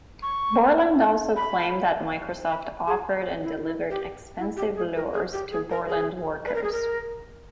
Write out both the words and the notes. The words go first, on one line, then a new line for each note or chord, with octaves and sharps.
Borland also claimed that Microsoft offered and delivered expensive lures to Borland workers.
C#6
B5
B5
G#4
E4
E4
G4
E4
G4
G#4
A#4
G#4
G4
G#4
A#4
G#4
B4
A#4
G#4
A#4